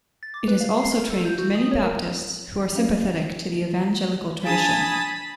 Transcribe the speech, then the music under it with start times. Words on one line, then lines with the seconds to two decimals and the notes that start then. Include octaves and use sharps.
It has also trained many Baptists who are sympathetic to the evangelical tradition.
0.23 A6
0.34 D6
0.48 B4
0.61 F5
0.78 C7
0.93 A#4
1.10 A4
1.25 G6
1.38 F#4
1.55 D#6
1.71 C#5
1.84 A#4
2.74 F#3 C#4 F5
4.44 D4 G#4 F5 G#5 A5 B5 D#6 A6